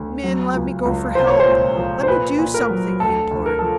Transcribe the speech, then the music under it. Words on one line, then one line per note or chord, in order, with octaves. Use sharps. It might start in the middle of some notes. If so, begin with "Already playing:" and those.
"Min, let me go for help--let me do something," he implored.
Already playing: D2
F#3
C#2
C#2
C2 C5
C#5
C5
A#2
F3
C5
A#2 B4
A#2
A#4
F#3
D2 A4
D2
A#4
F3 A4